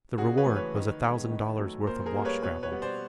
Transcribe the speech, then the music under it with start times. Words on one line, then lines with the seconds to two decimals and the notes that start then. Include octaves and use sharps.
The reward was a thousand dollars' worth of wash-gravel.
0.18 C#3 F#4 G#4
0.38 B4 C#5
0.46 E3 A3
0.55 B4 C#5
0.75 D#3
1.03 G#3 B3
1.31 D#3
1.59 F#3 A3
1.87 A#2 A#4 C5
2.06 G#4 A#4
2.15 G3 A#3
2.25 B4 C#5
2.43 B2 B4 C#5
2.63 B4 C#5
2.72 G3 B3
2.82 C5 D5